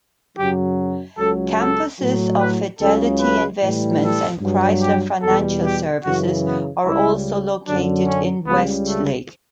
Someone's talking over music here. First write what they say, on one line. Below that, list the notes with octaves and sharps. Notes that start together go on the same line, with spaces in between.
Campuses of Fidelity Investments and Chrysler Financial Services are also located in Westlake.
F#2 C#3 F#3 G4
C#2 C#3 F#3 A4
A4
A2 F#3
B4
C#2 C#3 F#3 A4
B4
A2 E3 G3
A4
G2 F#3
G4
E2 B2 G3 A4
G4
F#2 C#3 E3 F#4
B3
C#2 C#3 G3 E4
F#2 D3 F#3 D4
C#4
C#2 C#3 G3 B3
A3